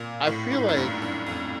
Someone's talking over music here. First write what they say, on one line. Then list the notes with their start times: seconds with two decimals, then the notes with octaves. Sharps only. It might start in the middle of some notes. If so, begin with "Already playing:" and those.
I feel like
Already playing: A#2
0.27 A2
0.52 G#2
0.69 F#2
0.77 G2
1.02 F#2
1.26 F2